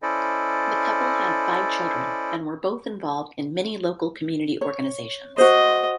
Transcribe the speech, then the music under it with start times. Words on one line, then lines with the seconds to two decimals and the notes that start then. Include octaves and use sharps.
The couple had five children and were both involved in many local community organisations.
0.02 C#4 E4 A4 C5 D5 D#5
4.61 C#5
5.38 F#4 C5 D#5